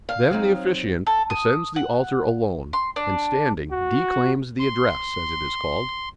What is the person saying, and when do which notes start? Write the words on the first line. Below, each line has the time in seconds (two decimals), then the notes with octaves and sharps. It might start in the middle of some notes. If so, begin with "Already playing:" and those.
Then the officiant ascends the altar alone, and, standing, declaims the Address, as it is called.
0.09 F5
0.31 F#3 C4 D#4
1.07 A4
1.30 D#6
1.76 F#5
2.73 C6
2.96 D4
3.71 F#4
4.60 C6